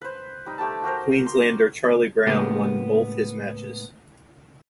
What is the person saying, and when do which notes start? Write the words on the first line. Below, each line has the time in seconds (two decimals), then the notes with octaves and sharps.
Queenslander Charlie Brown won both his matches.
0.01 B4 C5
0.46 G3 D#4
0.58 A3 G4 G5 A5
0.84 F#4 G4 A#4 C5
1.26 C6
2.26 A2 C#3 G#3 A#3 B3 G4